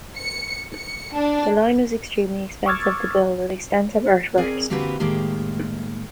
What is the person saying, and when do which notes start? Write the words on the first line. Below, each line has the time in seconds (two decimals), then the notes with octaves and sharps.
The line was extremely expensive to build with extensive earthworks.
0.16 C#7
0.72 C#7
1.15 D4
2.66 C#6 D6 E6 F6 G#6 A6
4.37 C4 G#4 A#4 D5 G#5
4.70 D3 A#3 C4 F#4 G4 B4
5.00 A2 D#3 G#3 A#3 G4